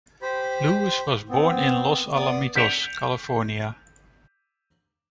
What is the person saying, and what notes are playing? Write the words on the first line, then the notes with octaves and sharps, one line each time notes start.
Lewis was born in Los Alamitos, California.
G4 C5 B5
B3 C4
B3 D5 D#6
G6 B6 C#7 D7 E7 F7